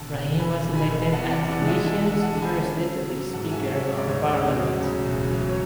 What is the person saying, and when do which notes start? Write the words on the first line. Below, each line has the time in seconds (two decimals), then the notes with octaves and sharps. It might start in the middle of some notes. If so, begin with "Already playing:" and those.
Rahim was elected as the region's first deputy speaker of parliament.
Already playing: E1 D3 F#5 A5
0.15 E1
0.39 D3 G#5 B5
0.63 E1
0.75 G#5 B5
0.88 E1
1.12 E2 F#5 A5
1.30 D5 F#5
1.37 E2
1.49 D5 F#5
1.62 G#3
1.68 E5 G#5
1.86 G#3 F#5 A5
2.05 F#5 A5
2.11 D3
2.23 F#5 A5
2.35 D3
2.42 G#5 B5
2.60 C#4
2.85 F#3
3.09 F#3
3.33 G#2 F#5 A5
3.51 E5 G#5
3.59 C#4
3.70 C#5 E5
3.82 G#2
3.88 C#5
3.98 D5
4.07 D2 C#5
4.32 C#3
4.56 F#3
4.80 C#3
5.06 E1
5.30 F#3
5.49 C#5